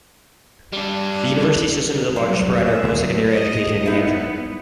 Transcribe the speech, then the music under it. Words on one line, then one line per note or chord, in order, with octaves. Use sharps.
The University System is the largest provider of post-secondary education in New Hampshire.
G3 D4
F#3 G3 C5
F#3 G#4 E5
D#5
B3 D#4 E4